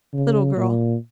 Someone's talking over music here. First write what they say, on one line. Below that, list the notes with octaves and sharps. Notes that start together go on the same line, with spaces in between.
Little girl.
C#3
A#2